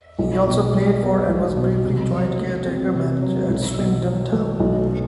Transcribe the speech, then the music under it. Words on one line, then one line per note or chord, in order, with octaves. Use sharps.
He also played for and was briefly joint caretaker manager at Swindon Town.
B1
B2
G3
B3
B1
B2
C3
F#3
A3
C4
C3
F#3
B1
B2
F#3
A3
B1
B2